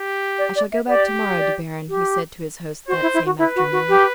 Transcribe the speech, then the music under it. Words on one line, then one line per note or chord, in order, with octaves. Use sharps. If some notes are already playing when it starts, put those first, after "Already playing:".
"I shall go back to-morrow, De Baron," he said to his host that same afternoon.
Already playing: G4
D5
D5
E5
G4 D5
D5
G4
F#4 C5
E4
E4
F#4
E4 B4
F#4
F#4
G4